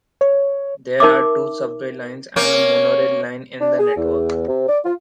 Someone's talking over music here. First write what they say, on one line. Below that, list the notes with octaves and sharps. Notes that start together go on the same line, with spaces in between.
There are two subway lines and a monorail line in the network.
C#5
D#4 A#4 E5 D6
A#3 C#4
D4
G#4
E2
C3
D5
F4